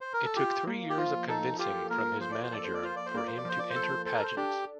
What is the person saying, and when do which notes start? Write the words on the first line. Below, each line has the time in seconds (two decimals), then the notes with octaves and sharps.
It took three years of convincing from his manager for him to enter pageants.
0.01 C5
0.13 A#4
0.25 A4
0.36 F4 G4
0.67 A#3
0.90 G4
0.97 F3 F4
1.29 D#4 A4
1.59 F4 G4
1.90 A#3 A#4
2.21 F3 C5
2.31 D5
2.43 C5
2.53 A4 D5
2.64 C5
2.74 D5
2.83 F4 C5
2.96 D5
3.06 C5
3.14 A#3 D5
3.27 C5
3.38 D5
3.45 F3 C5
3.59 D5
3.70 C5
3.76 A4
4.06 A4 C5
4.15 A#4
4.23 C5
4.37 D4 G4